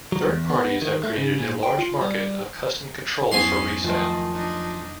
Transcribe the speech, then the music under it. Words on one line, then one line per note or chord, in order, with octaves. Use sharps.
Third parties have created a large market of custom controls for resale.
F#3
E2
B3
D#3
A3
C#3
A#2
G5
F4
G3
F2 F#3 B3 C#4 E4 G#5 C6
D#3 F3 A3 D#5
D4 D#4